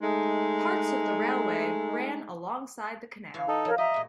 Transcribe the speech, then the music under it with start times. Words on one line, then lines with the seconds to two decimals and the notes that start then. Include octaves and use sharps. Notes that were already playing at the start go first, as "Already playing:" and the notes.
Parts of the railway ran alongside the canal.
0.02 G#3 A3 D#4
3.34 E3 C#5 F5
3.48 D#4 A4
3.65 F3 A#4 C#5
3.78 G4 D#5 E5 A#5
3.94 A#2 G#3